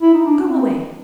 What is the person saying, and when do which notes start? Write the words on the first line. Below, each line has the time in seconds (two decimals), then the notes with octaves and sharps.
Go away!
0.02 E4
0.14 D#4
0.26 D4
0.39 C#4
0.50 C4